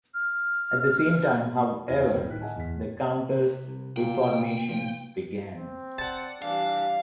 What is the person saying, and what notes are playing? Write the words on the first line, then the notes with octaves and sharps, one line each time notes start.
At the same time, however, the Counter-Reformation began.
F6
E2 E4 F6 G#6 A#6 D#7
D#4 G4 A#4
D1 A2 C3 G5
D1 D#3 E4 F#6 B6
D#5 E5 F#5 G#5 A5
E2 B6
C3 B4
C2
A#2 G5
B1 F3
C4
D5 F#5 A5
E3 G3 D4 F5